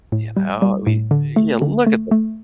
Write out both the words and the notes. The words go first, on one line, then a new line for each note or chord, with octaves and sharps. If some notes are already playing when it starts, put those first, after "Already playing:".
You know? We, eh, yeah, look at the
A2
G3
G3
A2
D3
A3
D3
A3
A3